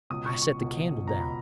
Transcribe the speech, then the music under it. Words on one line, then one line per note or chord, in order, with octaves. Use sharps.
I set the candle down.
C#2 B2 D#6
C#6
C#6
C#2 B2
C#2 B2 A#5
B5